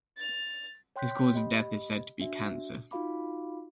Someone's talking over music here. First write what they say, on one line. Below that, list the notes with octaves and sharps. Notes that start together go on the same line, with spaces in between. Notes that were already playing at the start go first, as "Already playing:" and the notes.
His cause of death is said to be cancer.
A6 F7
C#5 G5 C6 F#6 G6 B6
G4 D#5 B5
D4 F#4 E5
D#4 F4 F#4 F5 B5 D6